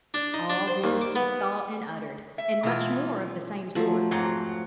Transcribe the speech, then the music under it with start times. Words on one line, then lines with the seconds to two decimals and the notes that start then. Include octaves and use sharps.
All this he thought and uttered, and much more of the same sort.
0.14 D4
0.34 D#4
0.50 D4
0.67 C5
0.84 D#2
1.01 D6
1.15 B3
2.38 E5
2.63 B2 E3 F4
3.75 F3 F#3 A3
4.11 F2 G#2 F#3 C6